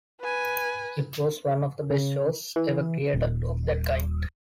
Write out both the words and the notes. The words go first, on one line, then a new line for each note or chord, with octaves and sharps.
It was one of the best shows ever created of that kind.
B4 G#5
C#3
E3
D#1